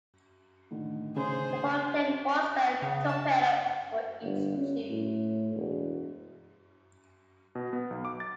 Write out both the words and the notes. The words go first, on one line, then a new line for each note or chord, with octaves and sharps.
The boat carried one spare torpedo for each tube.
A2 D3 D#3
C#3 G#4 C5
C#3
A5
G1
C#4
A2
E1
B2
B3
B1
D6
A6